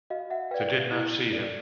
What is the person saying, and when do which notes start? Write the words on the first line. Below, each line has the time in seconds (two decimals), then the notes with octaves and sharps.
They did not see him.
0.10 F#4 D#5 F5
0.30 E5 F#5
0.51 B4 D5 F5 G5
0.91 E4
1.33 A4 D5